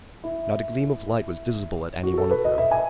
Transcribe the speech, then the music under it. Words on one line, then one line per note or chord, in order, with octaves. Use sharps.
Not a gleam of light was visible at any one of them.
E4
F#4
A4
B4
D#5
E5
G#5